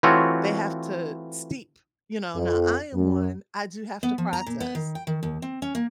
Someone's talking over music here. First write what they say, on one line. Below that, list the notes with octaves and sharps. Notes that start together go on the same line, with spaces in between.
they have to steep, you know, now I am one, I do have to process,
E3 A3 C4 F4 F#4 C#5
F2
F#2
B3
F3
A#5
A#2
B3
D#3
G5
D#3
D#2
C4
C#4
A#3